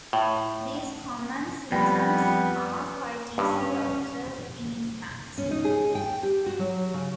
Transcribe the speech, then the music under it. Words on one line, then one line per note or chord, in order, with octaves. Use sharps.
These common symptoms are quite easily observed in infants.
A2
F2 G3 B3 G5 B5
G2 C#4
C#4
D#4
G#4
G5
G4
F#4
F#3
C#3